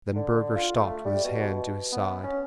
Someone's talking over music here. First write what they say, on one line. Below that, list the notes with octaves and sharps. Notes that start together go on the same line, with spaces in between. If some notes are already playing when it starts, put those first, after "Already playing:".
Then Burger stopped with his hand to his side.
D3
F4
A3
G3
B2
B3
C#4